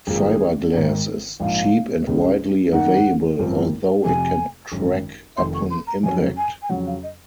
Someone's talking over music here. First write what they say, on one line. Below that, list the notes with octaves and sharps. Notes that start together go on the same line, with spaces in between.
Fiberglass is cheap and widely available, although it can crack upon impact.
G#1 F#2 F3 A#3 G#4
G#1 G#2 D#3
A#1 G#2 F3 F5
C#2 C#3 G#3 C#4
F#2 D#3 A#3 D#4 F#5
G#1 F#2 F3 C4
F1 F2 C3 G#5
G#1 F#2 C#3
F1 F2 D#3 C6
C#6
C6
A#5
F2 C#3 F#3 G#5
G#5
G#5
F2 C#3 F#3 F#5
F5
D#5